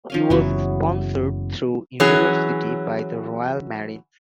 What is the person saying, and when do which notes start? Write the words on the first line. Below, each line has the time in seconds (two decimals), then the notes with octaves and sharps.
He was sponsored through university by the Royal Marines.
0.10 F3 C#4 F5
0.30 F#1 C#3 E3 F#3 B3
2.00 E3 F#3 C#4 G#4